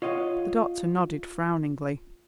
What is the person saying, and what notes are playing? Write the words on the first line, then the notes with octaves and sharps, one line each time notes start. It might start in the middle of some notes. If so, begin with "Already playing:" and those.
The doctor nodded frowningly.
F4 C#5 D#5 F5 F#5